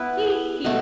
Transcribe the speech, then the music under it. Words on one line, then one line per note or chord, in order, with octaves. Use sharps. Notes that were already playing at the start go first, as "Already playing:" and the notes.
He! he!
Already playing: B3 E4 B4
B2 A3